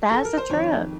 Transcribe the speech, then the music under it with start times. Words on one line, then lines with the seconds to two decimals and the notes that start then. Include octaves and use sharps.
That's a trip.
0.11 A4
0.25 A#4
0.38 C5
0.50 F2 D#3 C#5